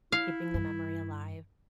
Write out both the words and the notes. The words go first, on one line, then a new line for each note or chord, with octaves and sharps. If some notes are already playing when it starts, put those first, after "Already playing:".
keeping the memory alive,
E4 F5
G2